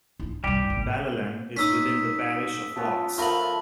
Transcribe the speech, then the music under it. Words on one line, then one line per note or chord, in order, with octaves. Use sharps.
Balallan is within the parish of Lochs.
D4 E4
C2 G2 G3 G4
G#1
C#4 D#4 D#6 E6 B6
F3 B3 C#4
F3 A3 B3 F4 A#4 B5 F#7